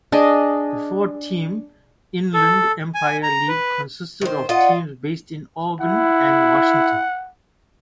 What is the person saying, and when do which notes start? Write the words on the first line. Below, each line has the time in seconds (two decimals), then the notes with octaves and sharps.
The four–team Inland Empire League consisted of teams based in Oregon and Washington.
0.12 D4 G#4 D#5
2.34 A4
2.94 G#5
3.23 A#5
3.48 B4
4.21 D#3 C5
4.49 F4 D5 D#5 F#5
5.81 E4 F#5